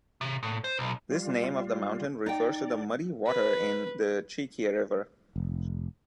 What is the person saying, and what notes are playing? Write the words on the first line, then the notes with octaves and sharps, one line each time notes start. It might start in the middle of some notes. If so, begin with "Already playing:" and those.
This name of the mountain refers to the muddy water in the Cheekye River.
C3
A2
C5
B1
G3 F4
D#4 D5 G5
B4
F1